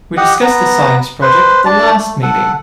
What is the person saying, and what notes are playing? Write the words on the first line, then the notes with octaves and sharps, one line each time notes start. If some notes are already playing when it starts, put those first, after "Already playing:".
We discussed the science project at the last meeting.
G4 D#5 F#5
B3 A#5
B4 C5
D4 A5
A3
A4 F#5